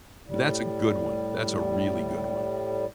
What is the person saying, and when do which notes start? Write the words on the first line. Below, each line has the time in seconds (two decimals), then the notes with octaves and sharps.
but that's a good one, that's a really good one.
0.28 A2 G3